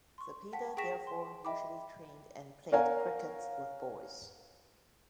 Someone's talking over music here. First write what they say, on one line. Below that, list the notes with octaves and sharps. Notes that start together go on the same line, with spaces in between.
Zepeda therefore usually trained and played cricket with boys.
C6 C#6
F#5 G5 A5 B6
G#4 G5 C#6 A#6 B6 E7
C6
D#5 E5 G5 B5 D6
A#4 C#5 F5 F#5 G#5 A#5